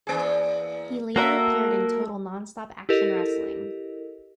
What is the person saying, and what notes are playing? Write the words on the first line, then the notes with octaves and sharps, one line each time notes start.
He later appeared in Total Nonstop Action Wrestling.
E2 A#3 G#4
A#3 F#4 A4 A#4 C5 E5
E4 G4 A4 A#4 D#5